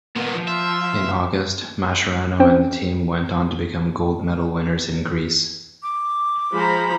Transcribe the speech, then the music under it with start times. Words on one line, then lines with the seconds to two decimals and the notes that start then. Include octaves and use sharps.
In August, Mascherano and the team went on to become gold medal-winners in Greece.
0.16 A#2 D#3 A#3 B3
0.35 F3
0.48 F4 E5
2.40 C4 C#4 C5 G5
5.83 D6
6.53 F3 G#3 C5 A#5 B5